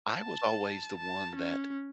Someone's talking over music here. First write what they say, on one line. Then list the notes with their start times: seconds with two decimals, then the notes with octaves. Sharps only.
I was always the one that
0.16 A5
0.97 A5
1.36 C#4